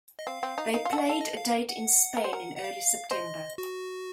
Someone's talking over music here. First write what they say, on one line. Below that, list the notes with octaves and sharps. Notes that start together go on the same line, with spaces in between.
They played a date in Spain in early September.
D#5
C4 F5
C4
D#4
D#4 F5
F4
A4 F#5
F#4
A4 F5
D#5
F5
F#5
A#4
C5
A#4
F#5
F5
C5 D#5
F#4